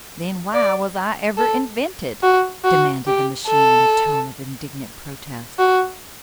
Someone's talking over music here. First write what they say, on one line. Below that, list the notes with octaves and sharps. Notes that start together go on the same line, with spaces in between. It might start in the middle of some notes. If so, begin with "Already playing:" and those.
"Then why was I ever invented?" demanded the machine, in a tone of indignant protest.
D5
A4
F#4
F#4
G4
A4
F#4